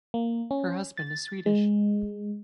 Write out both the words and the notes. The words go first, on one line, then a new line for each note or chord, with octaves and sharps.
Her husband is Swedish.
A#3
C#4
A6
G#3